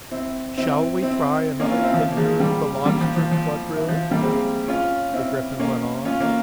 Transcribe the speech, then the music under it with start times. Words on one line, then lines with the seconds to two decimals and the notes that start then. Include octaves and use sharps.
'Shall we try another figure of the Lobster Quadrille?' the Gryphon went on.
0.11 C4 E4
0.57 C4 E4
1.02 C4 E4
1.60 A#3 C#4
1.71 C#4 F4
1.83 C4 E4
1.94 F3
2.12 A#3
2.16 F3 G#3
2.39 G3 A#3
2.85 G3 A#3
3.01 F3
3.16 F3
3.31 F3
3.77 E3
3.88 F3
4.11 G3 A#3
4.22 G#3 C4
4.68 C#4 F4
5.13 C4 E4
5.59 A#3 C#4
6.05 C#4 F4
6.20 A#3 C#4